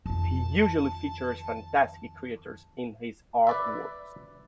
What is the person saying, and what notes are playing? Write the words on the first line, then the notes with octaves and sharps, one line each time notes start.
He usually features fantastic creatures in his artworks.
F2 D#3 A5
B4 D5 E5